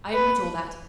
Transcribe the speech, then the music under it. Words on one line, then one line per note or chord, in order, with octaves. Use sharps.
I admit all that.
B4